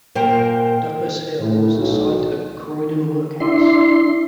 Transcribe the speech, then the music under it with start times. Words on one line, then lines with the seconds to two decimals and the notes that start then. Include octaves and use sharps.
Duppas Hill was the site of the Croydon workhouse.
0.15 A#2 A#4 C5 G5
1.40 A2
1.74 B1
3.40 D4 E4 C6